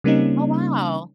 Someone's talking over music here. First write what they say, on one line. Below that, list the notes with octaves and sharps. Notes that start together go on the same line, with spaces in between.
Oh, wow!
C#3 G3 A#3 C4 C#4 D#4